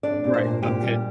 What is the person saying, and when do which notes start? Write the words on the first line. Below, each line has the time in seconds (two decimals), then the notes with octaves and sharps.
Right, okay.
0.03 D4 D5
0.24 A#2
0.34 C5
0.44 A#2
0.63 A#2 G4
0.83 G3